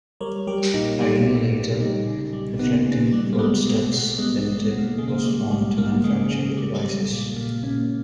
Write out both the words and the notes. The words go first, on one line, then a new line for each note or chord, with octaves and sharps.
A year later, Reflecting Roadstuds Limited was formed to manufacture the devices.
G3 A#4 C#5
G3 G4 A#4
A#2 D#4 G4
G3
A#2
A#2
G3 D#4 G4
C#3
G3
C#3 B3 D#4
C#3
G3
A#3
G3 G#3 B3
B2
B2
G3 G#3 B3
G#3
B2
G#3
B2
A#3
C#3 G#3
A#3
G#3
G3
G3
G3 A#3
C#3 G#3
C#3 G#3
G3
G3
A#2
A#2 A#3
A#2 A#3 C#4